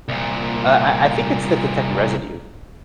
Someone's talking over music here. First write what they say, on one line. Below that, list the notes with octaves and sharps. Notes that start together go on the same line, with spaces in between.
Uh, I I think it's to detect residue,
C2 A#2